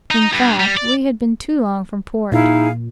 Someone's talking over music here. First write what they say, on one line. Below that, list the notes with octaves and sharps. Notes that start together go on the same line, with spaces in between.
In fact, we had been too long from port.
D#4
G2
G3
D5
A#2 D#4 E4 G#4 F5